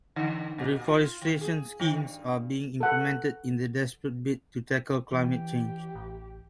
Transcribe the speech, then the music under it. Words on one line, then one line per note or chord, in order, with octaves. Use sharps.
Reforestation schemes are being implemented in a desperate bid to tackle climate change.
D3
A#2
F4
D#3
G#4
D#3
G2
A4 F#5
E3 G4
A1